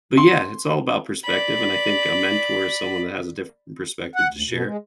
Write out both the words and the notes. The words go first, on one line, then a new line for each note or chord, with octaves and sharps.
but yeah, it's all about perspective. And I think a mentor is someone that has a different perspective to share,
C6
D5 B5
F#5
D2
B2
G#3